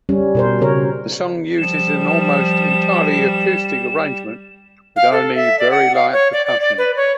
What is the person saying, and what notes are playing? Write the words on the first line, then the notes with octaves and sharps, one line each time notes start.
The song uses an almost entirely acoustic arrangement with only very light percussion.
G3 C#4
B2 A#4 C5
C#3 A#4 C#5
F3 G3 E7
F5
A4
E5
D5
F#5
F5
C#5
D5
D5
D5
B4
C#5